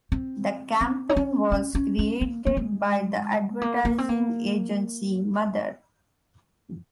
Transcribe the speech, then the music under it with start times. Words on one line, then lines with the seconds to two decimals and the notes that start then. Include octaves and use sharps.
The campaign was created by the advertising agency Mother.
0.12 C4
0.81 C4
1.09 D#4
1.16 C#4
1.52 C#4
1.75 C#4
1.99 C#4
2.21 A#3
2.47 A#3
2.57 G#3
3.62 A#3
3.85 A#3
3.98 C4
4.09 A#3